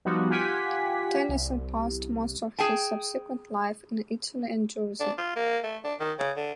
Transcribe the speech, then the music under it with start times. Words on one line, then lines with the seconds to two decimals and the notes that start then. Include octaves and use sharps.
Tennyson passed most of his subsequent life in Italy and Jersey.
0.05 F3 G3 B3 D#4 F#4
0.30 F4 G4 F#5 G#5 B6
1.29 C2
2.59 G#4 G5 A5
5.00 D4
5.18 F4
5.36 A#3
5.63 A3
5.84 D4
6.00 D#3
6.19 C#3
6.36 D3